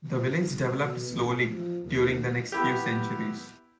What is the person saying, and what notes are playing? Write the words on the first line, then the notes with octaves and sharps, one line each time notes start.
The village developed slowly during the next few centuries.
G#2
B2
A1
F3
D#2
B3 E4 G4